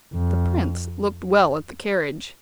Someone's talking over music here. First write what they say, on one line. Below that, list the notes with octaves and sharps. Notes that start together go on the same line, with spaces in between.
The prince looked well at the carriage.
F2